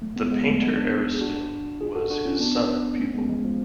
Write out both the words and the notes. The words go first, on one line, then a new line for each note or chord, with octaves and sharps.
The painter Ariston was his son and pupil.
F#3 A3
G#3 B3
G#3 B3
F#3 A3
G#3 B3
B3 D4
G#4
D4 F#4
F4 G#4
F#4 A4
D4 F#4
C#4 F4
B3 D4
B3
A3 C#4
G#3 B3
F3 G#3
F3